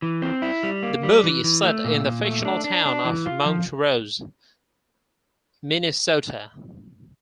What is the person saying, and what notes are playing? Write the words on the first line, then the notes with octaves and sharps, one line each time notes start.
The movie is set in the fictional town of Mount Rose, Minnesota.
E3
C4
E4
G3
A#3
G3
E3
E3
A3
A#2
A#2
A3
D4
D4
D4
E3
F4
F3